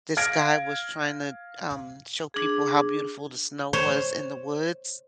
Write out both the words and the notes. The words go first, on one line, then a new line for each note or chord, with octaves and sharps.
this guy was trying to, um, show people how beautiful the snow was in the woods,
F5 F6 G#6 A#6 D7
D4 G#4
C5 C#5